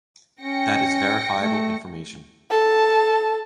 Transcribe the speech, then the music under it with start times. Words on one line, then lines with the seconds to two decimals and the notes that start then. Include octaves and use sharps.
That is verifiable information.
0.41 C#4 G5 A#6 C#7
1.39 A3
2.51 A4 A5